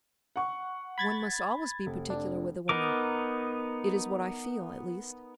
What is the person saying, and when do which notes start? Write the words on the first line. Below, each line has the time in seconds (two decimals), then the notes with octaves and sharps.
"One must always be particular with a woman; it is what I feel, at least."
0.36 F#5 C#6
0.98 B5 G#6 A6
1.86 F1
2.10 D4
2.69 B3 D#4 A#4 D6